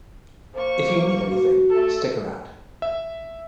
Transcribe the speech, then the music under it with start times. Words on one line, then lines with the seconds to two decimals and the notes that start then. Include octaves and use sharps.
If you need anything, stick around.
0.54 A#3 C5 C#6
1.27 F#4
1.70 A3 A4
2.82 E5